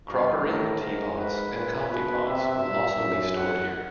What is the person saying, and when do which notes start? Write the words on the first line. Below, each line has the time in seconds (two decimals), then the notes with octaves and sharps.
Crockery, tea pots and coffee pots would also be stored here.
0.08 G2 F4
0.44 A2 A#4
0.80 G#2 A#4
1.17 B4
1.54 A#2 B4
1.89 B2 B4
2.26 C3 E5
2.63 G2
2.99 F#2
3.36 F#5